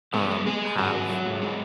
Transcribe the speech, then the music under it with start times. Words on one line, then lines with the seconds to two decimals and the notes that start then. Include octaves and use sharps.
um, have
0.14 G#3 B3
0.30 G#3
0.46 G#3 G#4
0.62 G#3
0.77 G#2 F#4
0.94 F#3
1.09 F#3
1.25 G#2
1.42 G#3